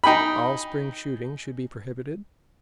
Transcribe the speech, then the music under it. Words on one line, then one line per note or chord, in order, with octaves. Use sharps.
All spring shooting should be prohibited.
D#4 G5 G#5 B5